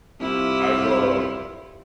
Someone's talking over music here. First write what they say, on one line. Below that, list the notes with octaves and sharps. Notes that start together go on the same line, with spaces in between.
I've, uh
C2 E4 F4 G4